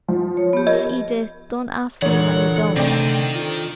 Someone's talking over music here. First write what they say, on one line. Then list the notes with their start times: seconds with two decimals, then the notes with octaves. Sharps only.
Miss Edith, don't ask me, honey--don't!
0.08 F3
0.37 C#5
0.53 B3 G4
0.67 A#4 D#5
2.02 A#2 D3 E3 G#4 C#5 F#5
2.76 C3 D#3 A3 C4 D5 G5
3.35 F4 A4